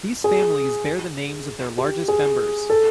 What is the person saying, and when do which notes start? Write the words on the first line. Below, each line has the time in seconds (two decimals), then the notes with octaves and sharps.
These families bear the names of their largest members.
0.24 G#4
1.78 G4
2.08 G#4
2.70 A4